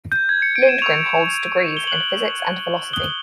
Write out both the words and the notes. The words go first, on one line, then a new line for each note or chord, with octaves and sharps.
Lindgren holds degrees in physics and philosophy.
G6
G#6
C#7
D7
D#7
E7
C#6 E6 G6 F7
G7
C#6 F#6 F#7
D#6 F#6 G7